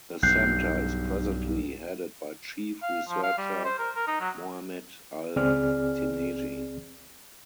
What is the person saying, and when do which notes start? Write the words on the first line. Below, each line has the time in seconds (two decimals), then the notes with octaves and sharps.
The centre is presently headed by chief researcher Mohamed Al Teneiji.
0.23 B1 G2 F#6 G6 C7
2.83 F5
3.08 F3
3.23 F5
3.38 G3
3.65 C5
3.79 A#4
3.96 A#4
4.07 D#4
4.21 F#3
5.36 C#2 C4 G#4 D5 F6